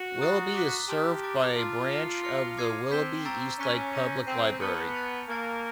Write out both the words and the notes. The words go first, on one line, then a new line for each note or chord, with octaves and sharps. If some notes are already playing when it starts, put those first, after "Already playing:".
Willoughby is served by a branch of the Willoughby-Eastlake Public Library.
Already playing: F#4
A#5 D#6 F#6 A6 C7
D6 F#6 B6
G4 A5 C6 F6 A6
A#5 D6 F#6 A6 D7
F4 A5 D6 F6 A6
F6 A6 C#7
F6 A#6 C#7 F7
D6 F6 G#6 C7 D#7
C4 G6 B6 E7 G7
A#5 C#6 E6 A6 D7
C#4 G#5 C#6 F#6 B6
G6 A#6 D#7
C4 G6 C7 D#7
B3 A5 C#6 F6 A6 C#7
F#6 A6 C#7 F7
A#3 G#5 C#6 E6 A6 C#7